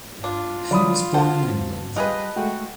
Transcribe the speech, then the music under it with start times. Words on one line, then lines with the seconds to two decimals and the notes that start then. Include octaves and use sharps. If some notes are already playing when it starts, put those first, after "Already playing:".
He was born in England.
0.24 D4 F4
0.71 D3 E3 F#3 D5 B5 D#6
1.14 F3 F#4 C5 A5
1.96 G3 F4 G#4 B4 D#5 G5 F#6
2.36 G#3 A3 F#4 G5